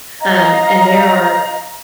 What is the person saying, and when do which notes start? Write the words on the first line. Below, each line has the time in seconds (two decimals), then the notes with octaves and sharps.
um, and there are
0.21 D#5 F5 A#5